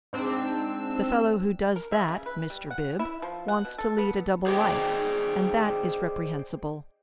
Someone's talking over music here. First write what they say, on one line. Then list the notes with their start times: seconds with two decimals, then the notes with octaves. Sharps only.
The fellow who does that, Mr. Bib, wants to lead a double life, and that is reprehensible.
0.13 G#2 C4 D4 E6
1.76 A#4
1.92 E5
2.08 C#3
2.26 B4
2.50 G3
2.71 F#5
2.99 E4
3.22 F3
3.48 F#5
3.65 B2
3.78 A4
3.98 B3
4.47 G#4 C5 D5 D#5 F#5 G5